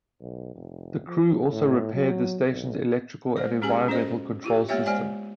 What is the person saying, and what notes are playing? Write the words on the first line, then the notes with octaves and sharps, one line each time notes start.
The crew also repaired the Station's electrical and environmental control systems.
B1
F1
F3
A2
F#3
B1
G#3 C5
G#3 C#4 G4 G#4 G#5 A5
C#4 F#4 A4 C5 D#5
E4 F4 G4
G#3 A#3 B3 G4 C#5 E5
G#3 C5 D5 G#5